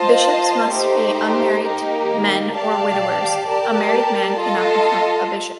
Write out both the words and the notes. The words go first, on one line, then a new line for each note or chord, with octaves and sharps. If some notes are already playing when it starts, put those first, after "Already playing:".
Bishops must be unmarried men or widowers; a married man cannot become a bishop.
Already playing: F4 C5 D#5 A5
A3 D#4 G4 C5
A#3 D#4 G4 A#4
G4 D5 F5 A5
G4 A#4 D5 A5
F4 A4 D#5 A5